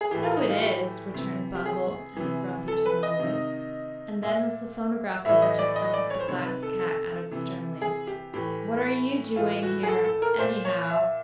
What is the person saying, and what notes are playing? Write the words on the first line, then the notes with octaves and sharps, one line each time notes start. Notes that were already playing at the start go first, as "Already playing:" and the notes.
"So it is," returned Bungle, in a grumpy tone of voice; and then, as the phonograph overtook them, the Glass Cat added sternly: "What are you doing here, anyhow?"
G#4
A2 E3 G4
F4
D#4
F4
G4
C3 E3
G4
G#4
C3 E3
A4
B4
D#5
C3 D#3
A#2 E5
A2 E3 E5
D#5
D5
D#5
D5
C#5
C5
C3 D#3 C#5
B4
A4
A4
C3 E3
G#4
G4
A2 E3 G4
A2 E3 F4
F#4
G#4
A4
A4
A#4
A#2 C5
C#5
E5